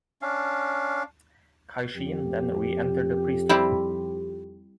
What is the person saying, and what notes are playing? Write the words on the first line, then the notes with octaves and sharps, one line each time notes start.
Kaishin then reentered the priesthood.
C#4 D4 F5
F2 G4
G3 C4 E4